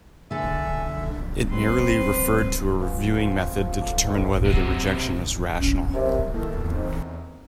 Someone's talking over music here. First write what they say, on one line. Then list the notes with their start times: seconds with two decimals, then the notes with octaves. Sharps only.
It merely referred to a reviewing method to determine whether the rejection was rational.
0.31 D3 A4 E5 G#5
1.50 G#1 G3 C4 B4 C6
2.79 B3 C#4 F4
3.18 C4 A5
3.52 F3
3.81 F#3 A4 D6
4.07 B3 C4 D#4 A4
4.45 C3 F#3
5.59 C#4
5.94 D#2 C3 E5
6.34 D#3 A#3 E4 A4
6.57 E2
6.71 C4 D#4